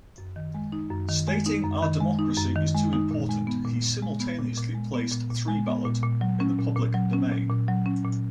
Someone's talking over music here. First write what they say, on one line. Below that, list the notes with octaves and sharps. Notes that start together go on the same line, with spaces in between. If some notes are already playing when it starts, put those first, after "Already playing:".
Stating "Our democracy is too important", he simultaneously placed ThreeBallot in the public domain.
F#2
D#3
G#3
D#4
F#2
D#3
G#3
D#4
F#2
D#3
G#3
D#4
F#2
D#3
G#3
D#4
A#2
G#3
B3
A#2
A#2
G#3
B3
A#2
A#2
G#3
B3
A#2
A#2
G#3
B3
A#2
A#2
F#3
C#4
A#2
A#2
F#3
C#4
A#2
A#2
F#3
C#4
A#2